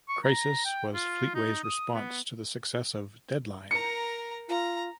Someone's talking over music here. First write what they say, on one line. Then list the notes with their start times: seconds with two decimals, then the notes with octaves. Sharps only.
"Crisis" was Fleetway's response to the success of "Deadline".
0.08 C#6
0.24 A#5
0.65 G5
0.94 F4
1.35 D#4
1.63 D#6
1.94 B3
3.71 A#4 A#5 C#7
4.49 F4 A#5